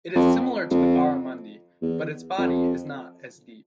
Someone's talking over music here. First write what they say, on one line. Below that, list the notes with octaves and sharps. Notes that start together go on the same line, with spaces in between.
It is similar to the barramundi but its body is not as deep.
F2
F2
E2
F2